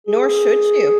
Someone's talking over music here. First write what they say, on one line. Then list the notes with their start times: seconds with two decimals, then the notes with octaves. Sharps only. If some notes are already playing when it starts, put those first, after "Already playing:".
Nor should you.
0.07 G#4